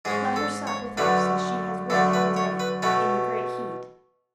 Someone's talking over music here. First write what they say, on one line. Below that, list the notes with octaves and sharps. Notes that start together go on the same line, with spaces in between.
Let her sup with us, as she has worked all day in the great heat.
G#2 G#3 C#4 G#4
A4
C#5
F#2 D3 A3 C#4 B4
F#2 D3 A3 A4
B4
C#5
B4
B2 A3 C#4 B4